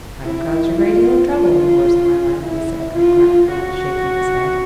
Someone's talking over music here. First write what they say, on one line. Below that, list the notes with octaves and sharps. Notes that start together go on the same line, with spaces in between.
"I have caused a great deal of trouble in the course of my life," he said, regretfully, shaking his head.
E4
F4
F4
E4
F4
F#4